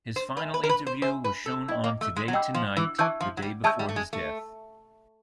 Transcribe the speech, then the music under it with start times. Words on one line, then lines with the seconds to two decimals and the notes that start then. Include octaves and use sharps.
His final interview was shown on "Today Tonight" the day before his death.
0.16 C5
0.37 B4 E5 G#5 C6 E6
0.54 B4
0.64 A#4
0.69 B4
0.87 C5
1.02 C5 E5 G#5 C6 E6
1.24 B4
1.46 A4
1.68 E4 D#5 G5 B5 E6 G6
1.84 A#3
2.01 A3
2.16 G#3
2.28 F#3
2.33 G3 D#5 G5 B5 E6 G6
2.54 F3
2.77 E3
2.98 E3 E5 A5 C#6 E6 G6
3.21 F3
3.37 F#3
3.42 G3
3.64 G#3 E5 A5 C#6 E6 G6
3.79 G3
3.89 A3
3.96 G#3
4.13 A3